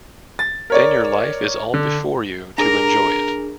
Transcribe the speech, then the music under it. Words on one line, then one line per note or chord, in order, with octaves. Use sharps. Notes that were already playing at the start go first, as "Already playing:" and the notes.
Then your life is all before you to enjoy it.
A6
A#4 C#5 D5
D3
D4 G#4 A#4 A#5